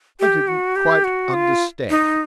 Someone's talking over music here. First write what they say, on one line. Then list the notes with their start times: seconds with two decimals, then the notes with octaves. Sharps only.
"I didn't quite understand."
0.20 G4
0.48 F#4
0.76 G4
1.04 F#4
1.33 F4
1.90 D#4